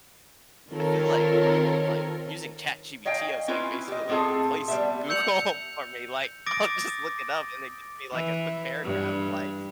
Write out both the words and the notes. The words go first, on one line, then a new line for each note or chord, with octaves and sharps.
I feel like like like using ChatGPT, I was, like, basically, like, replace Google for me, like, I'll just look it up and they give me, like, a quick paragraph of, like,
D#3 C4 F4 A4 A#4 C#5
C#5 D#5 F5 G5 G#5
C#4 E4 F4 B4
G4 D#5
A2 C4 F4 G#4 A4
G3 B3 E5
E6 G6 C#7 F7 F#7
D6 D#6 A6 A#6 D7
E3
G2